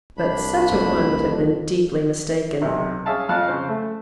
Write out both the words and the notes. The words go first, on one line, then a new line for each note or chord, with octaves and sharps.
But such a one would have been deeply mistaken.
C2 D4 B5
E1 B1 F2 A3
F2
B1 C3
C#4 G#4 E5 F5 A5
F2 F5 A5 F6 F#6
C#3 C5
A3